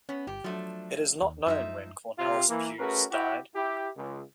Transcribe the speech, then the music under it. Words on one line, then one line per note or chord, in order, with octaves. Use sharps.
It is not known when Cornelis Buys died.
B3 C#4
G1 G4
F3 F#3 A3 D4
D#2
F#2 F3 D#4 E5
C3 F4
E3 A#3
A3 C#4 F#4 G#4 A#4 B4
E4 F#4 G4
E4 G4
C#2